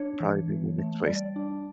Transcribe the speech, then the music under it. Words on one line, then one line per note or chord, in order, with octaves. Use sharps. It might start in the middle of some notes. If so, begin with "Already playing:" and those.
Probably be my next place.
Already playing: D4 C#5
E3
E3
A3
G3 D5
D4